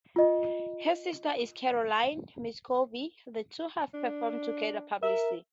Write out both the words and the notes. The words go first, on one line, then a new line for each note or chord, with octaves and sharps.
Her sister is Carolina Miskovsky; the two have performed together publicly.
F4 D#5
D4
A#4 E5